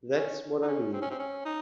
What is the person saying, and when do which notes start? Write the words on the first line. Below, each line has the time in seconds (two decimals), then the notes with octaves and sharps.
That's what I mean.
0.16 C#4
0.62 D#4
0.68 C#4
0.93 C4
1.02 C#4
1.11 C4
1.19 C#4
1.45 D#4